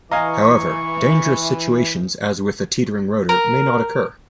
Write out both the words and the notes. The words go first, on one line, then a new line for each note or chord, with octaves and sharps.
However, dangerous situations, as with a teetering rotor, may not occur.
E3 D#5 F5 G#5 A#5 C#6
A#4